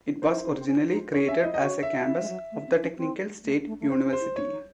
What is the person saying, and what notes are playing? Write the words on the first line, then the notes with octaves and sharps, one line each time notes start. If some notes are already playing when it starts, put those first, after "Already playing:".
It was originally created as a campus of the Technical State University.
D#4 C5
E4
D#4
E4
D#4
C4
C#4
D#4
C#4 C#5
C4
C#4 E5
E4 D#5
D#5
F#4 C#5
E5
E4
G#3
F#3
A3
C4
C#4
C4
A3
A3
A3
C4 C5
C#4
C5
E4
E4 C#5
D#4